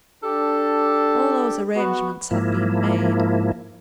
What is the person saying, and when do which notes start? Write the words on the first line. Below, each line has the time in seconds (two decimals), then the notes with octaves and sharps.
'All those arrangements have been made.'
0.23 D4 G4 A4
1.75 B3 F#4
2.31 G#2 F3 A#3 E4